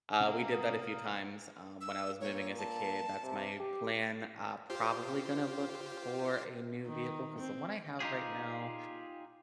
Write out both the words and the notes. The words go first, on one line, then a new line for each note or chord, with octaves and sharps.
Uh, we did that a few times, um, when I was moving as a kid. That's my plan. Uh, probably gonna look for a new vehicle 'cause the one I have right now,
C3 A#3 C#4
A#4 D#6
E6
A#2 C#5
A5
C3
G4
F4 G4 C5
D#3
C4
D#4 F4 G4 G#4